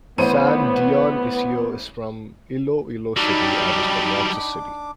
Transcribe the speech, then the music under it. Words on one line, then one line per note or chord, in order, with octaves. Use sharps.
San Dionisio is from Iloilo City and is from Roxas City.
A1 B3 C5 D#7
F#3 G3 D4 D#4 G5 B5 D6